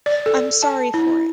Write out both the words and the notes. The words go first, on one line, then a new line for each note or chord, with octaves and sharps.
I’m sorry for it.
D5
A4
A5
E4